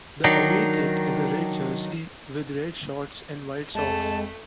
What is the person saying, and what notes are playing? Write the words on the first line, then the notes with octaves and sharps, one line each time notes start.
The away kit is a red jersey with red shorts and white socks.
D#3 F#3 D4 D#4
F2 G#3 A3 A5